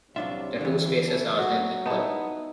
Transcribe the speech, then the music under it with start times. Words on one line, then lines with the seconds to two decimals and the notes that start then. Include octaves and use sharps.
The two spaces are then equal.
0.16 C2 F#3 D4 F4 E5
0.61 D3 E3
1.08 E3 A4
1.39 F#3 F#4
1.86 B3 D#4 E4 A5